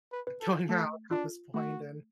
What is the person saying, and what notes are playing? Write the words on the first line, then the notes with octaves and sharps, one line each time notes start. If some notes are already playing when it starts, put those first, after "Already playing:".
going out at this point and"
B4
B4
A4
A3 A4
D4 F4
A3 F#4